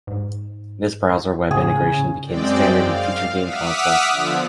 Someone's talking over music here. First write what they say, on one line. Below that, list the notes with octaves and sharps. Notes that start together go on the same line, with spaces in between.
This browser web integration became a standard in future game consoles.
G#2
A2 C#3 G#4
F#2 G#3 C4 D5 G5
F5
E5 F#5 D6 D#6 F6 B6
D3 F3 B3